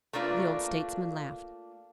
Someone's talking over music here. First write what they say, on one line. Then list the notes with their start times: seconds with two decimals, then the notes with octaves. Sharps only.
The old statesman laughed.
0.13 A3 A#3 D4 F4 B4